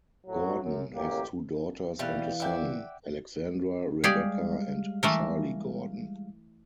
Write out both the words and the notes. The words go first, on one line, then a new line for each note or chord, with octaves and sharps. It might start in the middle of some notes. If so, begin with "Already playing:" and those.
Gordon has two daughters and a son, Alexandra, Rebecca, and Charlie Gordon.
A2 F#3 F#4
F#2
A1 F#2 A#3 G4
B2 E3 G3 E5 F5 F#6
D5 E5 F#5 G5 G6
G3 G#3 G4 G#4 D5 F5
E3 A3 A#4